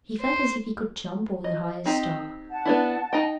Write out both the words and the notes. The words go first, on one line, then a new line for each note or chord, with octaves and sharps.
He felt as if he could jump over the highest star.
C5
D#5
C4 D#4 G4 E6
F#5 A5
B3 D4 E4
D#4 D#5 G5